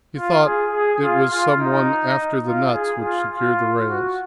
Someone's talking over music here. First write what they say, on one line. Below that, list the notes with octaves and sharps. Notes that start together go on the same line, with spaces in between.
He thought it was some one after the nuts which secure the rails.
F4
G#4
G#4
F4
F4
D#4
F4
G#4
F4
F4
F#4